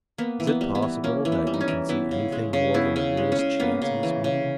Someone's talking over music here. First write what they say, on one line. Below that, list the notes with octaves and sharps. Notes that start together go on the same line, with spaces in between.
Is it possible that you can see anything more than the merest chance in this meeting?
A#3 B3
E3
B3
G3
B3
E3
A#3 C#4
E3
B3
G3
D#4
C#4
E3
B3 E4
C#3
G#3
C#3
B3 E4
C#3
G#3
C#4
C#3
A#3 B3
C#3
E3
C#3